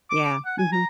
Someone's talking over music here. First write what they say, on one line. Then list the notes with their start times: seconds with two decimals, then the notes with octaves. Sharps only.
Yeah, mhm.
0.10 D6
0.25 D6
0.46 F#5
0.58 G#5
0.72 A#5